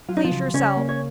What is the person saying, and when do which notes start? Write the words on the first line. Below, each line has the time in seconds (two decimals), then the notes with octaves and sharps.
Please yourself.
0.09 F#3 F4
0.17 D#4
0.25 F3 F4
0.31 C#3
0.54 C#3 C#4 C#5
0.77 A#3
0.89 C#5